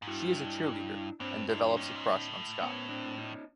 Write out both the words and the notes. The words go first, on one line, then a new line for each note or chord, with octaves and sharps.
She is a cheerleader and develops a crush on Scott.
G#2
G2 E4 F#4
D4 E4
G2 C4 D4
F#2 D4 E4
G2 C#4 D#4
G#2
A2
B3 C#4
C4 D4
C#4 D#4